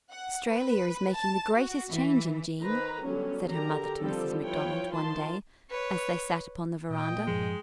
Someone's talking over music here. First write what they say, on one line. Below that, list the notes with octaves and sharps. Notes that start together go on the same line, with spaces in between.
"Australia is making the greatest change in Jean," said her mother to Mrs. McDonald one day, as they sat upon the veranda.
F#5
B4
A5
F#4
E3
D#3 B4 C5 A#5
D3 F#3 G3 B3 C#4
D3 G4 A#4 A#5
D3 F3 G3 C4 G4 A4
F3 E4 F4 B4 C#5 G5
D#3 F3 A5 C6
B4 C#5
A#2 D#5 G5
G2 F3 G#3